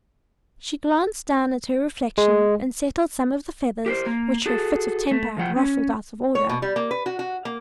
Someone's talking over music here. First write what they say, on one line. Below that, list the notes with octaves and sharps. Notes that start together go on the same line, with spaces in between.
She glanced down at her reflection and settled some of the feathers which her fit of temper had ruffled out of order.
G#3
G4 A#4 C5
A#3
F#4 G#4 A4
A3
E2 F3 F#5 G5
C#4
C#5
B2
G3
A#3
B4
F#4
F#4
A#3